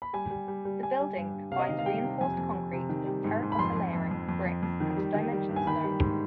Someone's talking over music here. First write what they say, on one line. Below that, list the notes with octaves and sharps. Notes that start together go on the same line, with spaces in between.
The building combines reinforced concrete with terracotta layering, bricks, and dimension stone.
B5
G3 G#5
G3
G3
G3
G3 G#5
G3
G2
G2
C3 F5
D#5
D#3 F5
F5
G3 G5
C3
F2 G#5
F2
F2
C3
D#3
G3
G#2
G#2
B5
F2 C6
F2
F2
F2
F2
F2
F2
D#3
G3
D#3
G3
G2
G#5
D#3 B5
G3
G#2